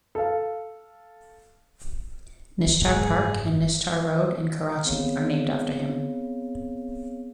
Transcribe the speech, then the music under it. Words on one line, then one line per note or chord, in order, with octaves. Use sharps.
Nishtar Park and Nishtar Road in Karachi are named after him.
A4 F5
F#1 G#2 G#4
B3 C4 G#4 C#5 F5